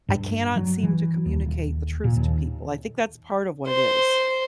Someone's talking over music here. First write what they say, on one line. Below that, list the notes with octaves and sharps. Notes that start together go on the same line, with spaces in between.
I cannot seem to communicate the truth to people. I think that's part of what it is.
G2
F#3
E3
D#2
D#1
A#2
D#2
C5